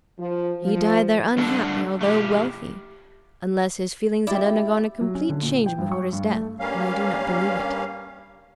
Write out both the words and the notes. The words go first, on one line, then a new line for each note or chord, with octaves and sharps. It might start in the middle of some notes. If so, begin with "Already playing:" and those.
He died there unhappy, although wealthy, unless his feelings had undergone a complete change before his death, and I do not believe it.
F3
F3
G3 A3 D4 A4 F#5
A3 G4
E4 G4 D5
F#3
C#4
D3
A#2
G5
G2
C#6
G2
A3
G2 G3 A#3 C#4 F5